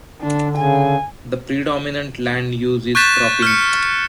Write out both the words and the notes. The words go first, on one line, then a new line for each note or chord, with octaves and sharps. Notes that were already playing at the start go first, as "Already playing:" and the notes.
The predominant land use is cropping.
D3 D4
C#3 G#5
C#6 F#6 G6 A6 B6 E7
F6 G6 C#7